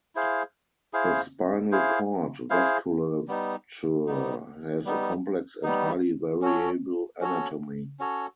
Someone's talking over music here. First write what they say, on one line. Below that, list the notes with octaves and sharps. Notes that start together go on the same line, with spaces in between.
The spinal cord vasculature has a complex and highly variable anatomy.
E4 G#4 C5 F5
E4 G#4 C5 F5
E4 G#4 C5 F5
E4 G#4 C5 F5
G3 B3 D#4
G3 B3 D#4
G3 B3 D#4
G3 B3 D#4
C#4 F#4 A4 C#5
C#4 F#4 A4 C#5
C#4 F#4 A4 C#5